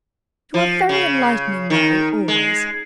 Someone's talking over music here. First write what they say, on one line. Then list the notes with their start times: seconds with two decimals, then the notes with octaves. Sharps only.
You are very enlightening, Mary, always.
0.54 F3
0.89 C#3
1.70 D#3
2.28 G#3